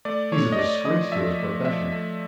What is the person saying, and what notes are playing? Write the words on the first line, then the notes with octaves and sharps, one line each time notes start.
"He's a disgrace to his profession!"
A3 D5
A3 C#5
D#5
A3 D5
F3 D#5
F3 E5
A3
F3 E5
A3